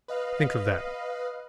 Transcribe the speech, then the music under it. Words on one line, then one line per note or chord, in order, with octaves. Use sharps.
Think of that!
B4 D#5 F5